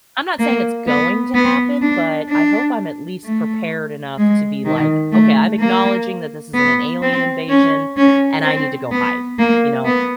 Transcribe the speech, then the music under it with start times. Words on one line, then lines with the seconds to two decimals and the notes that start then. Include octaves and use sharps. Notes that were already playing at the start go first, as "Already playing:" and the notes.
I'm not saying it's going to happen, but I hope I'm at least prepared enough to be like, "Okay, I'm acknowledging that this is an an alien invasion, and I need to go hide," you know,
0.39 A#3
0.87 B3
1.35 B3
1.82 D4
2.29 D4
3.24 A3
4.18 G#3
4.65 D#3
5.12 A3
5.60 A#3
6.54 B3
7.02 C4
7.49 C#4
7.97 C#4
8.44 C4
8.91 B3
9.38 A#3
9.85 B3